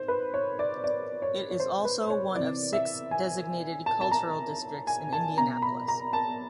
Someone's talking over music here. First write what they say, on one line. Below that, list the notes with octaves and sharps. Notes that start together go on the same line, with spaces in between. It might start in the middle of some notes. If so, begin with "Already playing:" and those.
It is also one of six designated cultural districts in Indianapolis.
Already playing: D#3 C5
B4
C#5
D5
D5
C#5
C#5
C5
B4
C#5
C3 E3 D5
E5
G#5
A5
A5
A#5
G#5
A5
B2 A#5
B5
A#5
A5